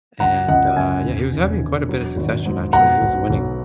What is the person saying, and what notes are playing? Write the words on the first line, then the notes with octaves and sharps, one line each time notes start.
and, uh, yeah, he was having quite a bit of succession, actually. He was winning
C#2 F#5 A#5
C#2 D#5 F#5
C#3 E5 G#5
E1
E1
E1
F#3
G#1
G#2
B2 F#5 A#5
B1
B1